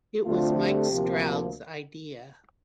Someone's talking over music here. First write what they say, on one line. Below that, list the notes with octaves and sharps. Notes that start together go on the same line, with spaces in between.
It was Mike Stroud's idea.
D2 D3 A3 C4 F4
G4
D2 C3 F3 A#3